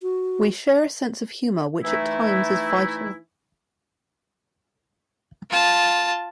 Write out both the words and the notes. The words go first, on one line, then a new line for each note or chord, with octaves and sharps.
We share a sense of humour which at times is vital.
F#4
E3 A3 D#4 E4
F4 A5